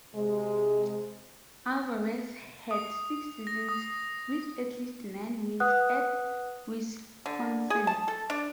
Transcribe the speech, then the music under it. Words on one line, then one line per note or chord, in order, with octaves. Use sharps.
Alvarez had six seasons with at least nine wins at Wisconsin.
C3 G#3
D#6
A#6
D#6
B4 F#5 D#6 F#6
D3
G#4
A5
A4
D4